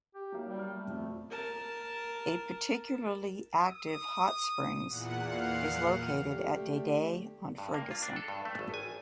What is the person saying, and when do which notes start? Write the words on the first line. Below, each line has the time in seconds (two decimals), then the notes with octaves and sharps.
A particularly active hot springs is located at Deidei on Fergusson.
0.15 G4
0.32 F#3 A#3 D#4
0.46 G3
0.59 F6
0.74 A3
0.89 F2 B2
1.30 A#4 A5
3.67 D#6
4.87 E2 A#2 F#5
5.31 F5
6.26 D3 A3 G4
7.58 G2
7.74 A#3
7.91 F4
8.02 D4
8.16 A4
8.28 G2
8.45 A3
8.59 G#1
8.74 G#5